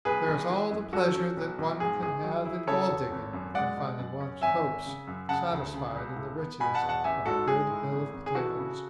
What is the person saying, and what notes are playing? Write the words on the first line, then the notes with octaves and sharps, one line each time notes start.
There is all the pleasure that one can have in gold-digging in finding one's hopes satisfied in the riches of a good hill of potatoes.
B1 G#4 B4
B1
E3
F#2
F#3 F#4 A4
C#4
B1
B1
G#2 G#4
A1 G#4
F#3
E4
C#3 A4 C#5
E2
G#1
F#2
G#3 D5 F#5
B2
F#2
C#4
G#1 E5 G#5
G#1
C#3
F#2
C#3 F#5 A5
D2
C#3
C#2
A2
B3
B2 G#5 B5
F#5 A5
E2
F#5 A5
A1 E5 G#5
G#2 F#4 A4
G#3 G#4
A2
G#1
G#1
G#4
E3 F#4 A4
C#3